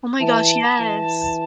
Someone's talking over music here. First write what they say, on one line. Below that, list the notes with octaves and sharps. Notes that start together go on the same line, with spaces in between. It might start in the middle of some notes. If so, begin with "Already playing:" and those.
Oh my gosh, yes.
E3 A5
E3